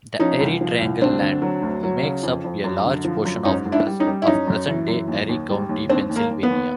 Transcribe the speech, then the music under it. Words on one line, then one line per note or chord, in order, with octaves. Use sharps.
The Erie Triangle land makes up a large portion of present-day Erie County, Pennsylvania.
F3 C#4 D#4
C2
F3
C2
D2 C4 D4
D3
F#3
D2
F#3
C#3
F2
F2
F#2
D3
F3
F#2
G#2 C#4 D#4
G#2
D4 E4
G3
C#4 D#4
G3
E4
F#2 C#4 D#4
F#2
E3
F#2
D#2
D#2
G3
D#2
D#2 C4 D4
D#2
A#3
D#2
B3
D#2